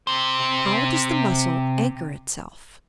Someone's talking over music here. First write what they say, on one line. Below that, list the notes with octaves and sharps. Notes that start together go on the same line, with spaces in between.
How does the Mussel anchor itself?
C3 C5